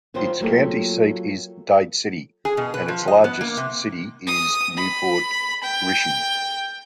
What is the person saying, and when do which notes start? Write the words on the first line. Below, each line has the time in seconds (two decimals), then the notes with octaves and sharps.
Its county seat is Dade City, and its largest city is New Port Richey.
0.14 D#3 F#3 G3 C4 F4 C5
0.41 F#3 A3 A#3 F4 G4 A4
2.45 G#4
2.57 B2
2.74 B4
2.88 F3
3.08 D#5
3.24 B3
3.41 A#3
3.57 C3
4.27 D#6
4.77 B5
5.63 G5